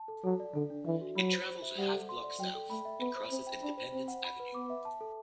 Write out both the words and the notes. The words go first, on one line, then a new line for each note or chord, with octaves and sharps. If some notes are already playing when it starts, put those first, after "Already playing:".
It travels a half block south, and crosses Independence Avenue.
Already playing: A5
A4
F#3 A4
D5
D3 A4
D4
E3 E5
F#4
F#3 B5
C5
C5
E5
G3 F#5
A4
C6
D5
F#3 G5
A4
A3 B5
E5
B3 B5
C5
C4 C5
G5
D4 B5
C5
C4 C5
F#5
B5
B4
B3 D6
E5
A5
A4